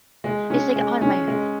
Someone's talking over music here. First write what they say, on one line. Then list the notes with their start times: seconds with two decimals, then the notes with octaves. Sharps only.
is like, on my
0.24 G#3
0.50 C#4
0.76 G#3
1.01 C#4
1.28 G#3